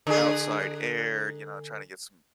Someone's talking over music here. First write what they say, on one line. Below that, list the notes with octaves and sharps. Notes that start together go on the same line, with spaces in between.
outside air, you know, trying to get some
D3 G#4